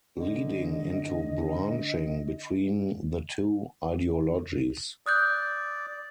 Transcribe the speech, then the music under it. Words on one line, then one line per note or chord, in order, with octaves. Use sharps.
Leading into branching between the two ideologies.
D3 D#5
D5 D#6 F#6 G6